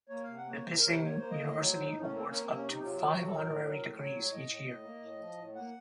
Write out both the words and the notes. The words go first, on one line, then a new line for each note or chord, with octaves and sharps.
Nipissing University awards up to five honorary degrees each year.
A#3 C#5
C3 F5
F#5
A#3
C#5
C3 C5
A#4
C3 C#5
C5
A#3
C#5
A#3 C5
A2 D#5
D#5
F#3 C#5
A2 C5
D#4
A2
C#4
A#3 C4
A#3 C#4
C3 C4
C#4
C3 D#4
F#3 F4
C3 F4
F#4
F#3 A4
A2 A#4
F#3
A2
F#3
C#5
A2
C#5
A2 D#5
A2
A2
A#3
A2
F3
A2
A#3 F#5